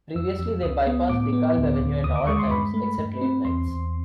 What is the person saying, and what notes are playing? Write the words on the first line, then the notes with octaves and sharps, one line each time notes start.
Previously, they bypassed DeKalb Avenue at all times except late nights.
F2 E6
F2
C#2 D#6
B3
A2 D6
B3
D2
D2
D#2 D#6
D6
G#3 C#6
C6
G2 B5
A3
G2
C4
E2 C6
E2